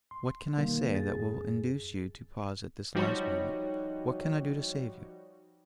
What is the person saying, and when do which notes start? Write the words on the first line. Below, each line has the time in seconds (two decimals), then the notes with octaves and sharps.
What can I say, that will induce you to pause at this last moment? What can I do to save you?'
0.11 C6
0.58 B2 D#3 G3 A#3
0.94 F#2 G#4 A6
2.95 F3 G3 D#4 F#4 C#5 D#5